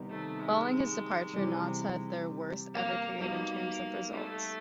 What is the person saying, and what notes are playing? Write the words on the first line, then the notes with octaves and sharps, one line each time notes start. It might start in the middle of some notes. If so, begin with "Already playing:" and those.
Following his departure, Notts had their worst-ever period in terms of results.
Already playing: C3 D#3 G3 B3 D#4
A3
G#3
C3 E3 G3
A#3
G3 A#3 B3 D#4 F#4
A3